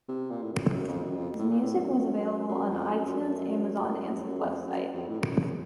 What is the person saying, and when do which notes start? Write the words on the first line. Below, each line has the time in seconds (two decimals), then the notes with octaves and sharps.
His music is available on iTunes, Amazon, and his web site.
0.08 C3
0.30 A#2
0.42 A2
0.53 F#2
0.74 F#2
0.88 F2
1.03 F#2
1.17 F2
1.39 A2
1.50 A#2
1.61 A2
1.76 F#2
1.90 F#2
2.48 F#2
2.70 F2
2.92 F#2
3.06 F#2
3.20 F#2
3.78 F#2
4.18 F2
4.22 F#2
4.44 F2
4.66 F#2
4.94 F2
5.08 A2
5.20 F#2
5.30 F#2